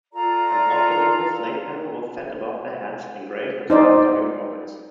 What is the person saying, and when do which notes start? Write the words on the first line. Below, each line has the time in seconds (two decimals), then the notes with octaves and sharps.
An octagonal slate panel was set above their heads, engraved with planetary orbits.
0.12 F4 A4 D5 A#5
3.70 D#4 C5 D5